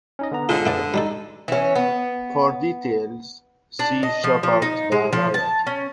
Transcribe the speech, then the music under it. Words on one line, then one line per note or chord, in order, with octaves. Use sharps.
For details see Schubert variety.
C#4 D#4 D#5
D3 B3 A#5
G#2 D3 F4 G#4 F5
A3 B3 D5
G3 G#3 D#4 A4
E3 C#4
B3
D4
D#5
F3
F3
D#4
G#3
F3
A5
C#4